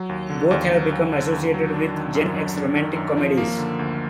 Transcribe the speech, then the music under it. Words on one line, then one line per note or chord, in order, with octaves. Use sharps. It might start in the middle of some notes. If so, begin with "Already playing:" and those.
Both have become associated with Gen-X romantic comedies.
Already playing: F#3
D#2
D3
D#2
F#3
D#2
D3
D#2
F#3
D4
D#3
F#2
F#3
D4
D#3
F#2
F3
A#3
D3
D2